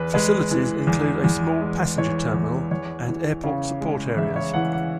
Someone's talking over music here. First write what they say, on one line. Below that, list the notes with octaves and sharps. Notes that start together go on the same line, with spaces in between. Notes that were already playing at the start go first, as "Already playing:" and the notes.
Facilities include a small passenger terminal and airport support areas.
Already playing: E2 B4
G#3 B4
E3
E2
E2
G#3
E3 C#5
E2
E2 C#5
E3
C#3
G#3
E2 E5
C#5
E3 F#5
F#5